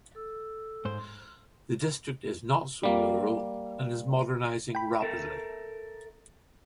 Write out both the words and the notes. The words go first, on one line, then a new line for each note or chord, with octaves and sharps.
The district is not so rural and is modernizing rapidly.
A4 E6
G#2 C5 C6
G3 A#3
G5 B5
A4 A#4 E5